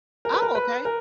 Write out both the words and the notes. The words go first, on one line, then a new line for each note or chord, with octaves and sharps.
Oh, okay,
A#4
B4
A#4
B4
A#4